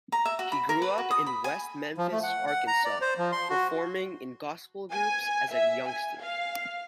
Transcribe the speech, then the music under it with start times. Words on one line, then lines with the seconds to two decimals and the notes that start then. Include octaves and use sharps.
He grew up in West Memphis, Arkansas, performing in gospel groups as a youngster.
0.12 A#5
0.25 E5
0.39 F#4
0.52 B5
0.69 A#4
0.82 B4
0.98 F#4
1.11 D#6
1.26 B5
1.44 G#5
1.98 F3
2.12 A3
2.23 F#5
2.47 F#5
2.67 A#5
2.85 D5
3.01 C5
3.18 F3
3.32 C6
3.50 F#4
4.91 G#5
5.51 E5
5.88 G#5
6.20 F5